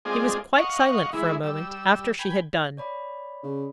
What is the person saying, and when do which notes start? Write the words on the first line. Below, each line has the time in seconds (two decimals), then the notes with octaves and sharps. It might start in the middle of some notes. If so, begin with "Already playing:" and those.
He was quite silent for a moment after she had done.
0.05 G#3 C4 F4 G#4 D5 D#5
0.56 D#5 F5 F#5 C#6
1.13 E3 G#3 E4
1.43 G3 E6
2.19 G5 G#5 B5
2.77 C#5 D5 B5
3.43 C#3